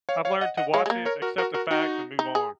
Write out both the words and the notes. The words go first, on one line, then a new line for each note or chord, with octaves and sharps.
I've learned to watch it, accept the facts, and move on.
C#5 F5
C#5 F5
D#5 F#5
D#5 F#5
G#3 C#5 F5
G#3
A#3
A#4 C#5
F#4 A#4
F#4 A#4
F#4 A#4
D#4 F#4
D#4
G#4